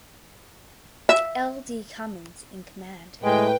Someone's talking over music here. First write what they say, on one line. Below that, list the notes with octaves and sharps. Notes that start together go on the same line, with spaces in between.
L. D. Cummins in command.
E5
A2 G#3 B4 G5